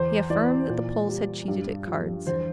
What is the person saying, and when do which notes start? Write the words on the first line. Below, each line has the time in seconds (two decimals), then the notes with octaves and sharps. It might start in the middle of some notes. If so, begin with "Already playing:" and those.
He affirmed that the Poles had cheated at cards.
Already playing: E2 C5
0.30 E3 D5
0.69 A#2
1.09 G3
1.48 G2
1.87 F3
2.27 E2 C5